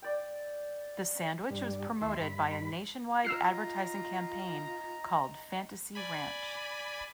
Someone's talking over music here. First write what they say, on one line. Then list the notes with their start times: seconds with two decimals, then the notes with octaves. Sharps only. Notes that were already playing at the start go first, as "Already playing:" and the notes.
The sandwich was promoted by a nationwide advertising campaign called "Fantasy Ranch".
0.02 D5 G5
1.50 G2 G3 D4
2.01 D#2 E4 E5 C6
2.19 G2 B5
3.25 D#4 F4 A#5 E6 F6 C7
5.95 D5 G#5 B5